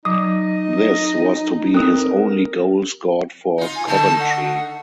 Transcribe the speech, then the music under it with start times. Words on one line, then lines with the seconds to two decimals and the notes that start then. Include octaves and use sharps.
This was to be his only goal scored for Coventry.
0.05 F#3 D#4 D#5 D#6
1.74 C4 A4 A#4 D#6
3.58 D#4 F4
3.76 G#5
3.87 D3 A3 D#4 A5
4.20 F#5